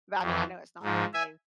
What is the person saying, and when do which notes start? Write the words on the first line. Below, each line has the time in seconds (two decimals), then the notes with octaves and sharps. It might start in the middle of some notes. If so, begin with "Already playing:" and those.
but I mean, I know it's not brand-new.
0.21 F2
0.26 E3
0.82 G#2 F3
1.13 E5 G#5